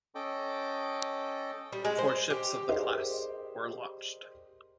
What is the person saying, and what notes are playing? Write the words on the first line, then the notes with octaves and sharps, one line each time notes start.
Four ships of the class were launched.
C#4 A4 D#5 G5 D6
G3
G#3
C5
G4
G4 G#4 A#4 C5 D5 D#5